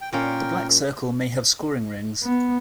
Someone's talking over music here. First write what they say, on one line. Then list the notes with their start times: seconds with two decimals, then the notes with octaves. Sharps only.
The black circle may have scoring rings.
0.01 G5
0.13 A#2 C#4 A#4 F5 G5
2.23 B3